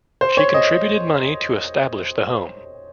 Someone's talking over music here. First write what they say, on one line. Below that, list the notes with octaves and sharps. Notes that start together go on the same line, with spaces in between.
She contributed money to establish the home.
C5
C#5
D#5